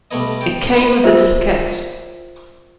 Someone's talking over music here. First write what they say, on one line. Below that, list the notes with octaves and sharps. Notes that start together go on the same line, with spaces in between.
It came with a diskette.
B1 G3 A3 B3 C#5 D#5
C#5 G5 A5
B3 D#4 F4 B4
F4 A#4 C5 E5